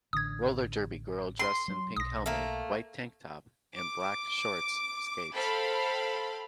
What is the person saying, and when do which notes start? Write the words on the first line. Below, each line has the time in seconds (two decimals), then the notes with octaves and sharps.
Roller derby girl dressed in pink helmet, white tank top, and black shorts skates.
0.13 A1 D3 D#6 G#6
1.39 C6
1.68 F#3
1.97 B1 D#6 A#6
2.26 A3 A#3
3.76 D6
5.34 A4 C5 F5 G5 B5